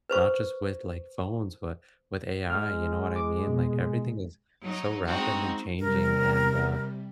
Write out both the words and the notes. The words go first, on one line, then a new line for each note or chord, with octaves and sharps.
not, just, with, like, phones, but with AI, you know what I mean, like, everything is so rapidly changing and, uh,
B4 C5 C#6
G#3 F6
D6
B2
F#3 D#4
G#3 C4 D#4 F#4
C3 G3 A#4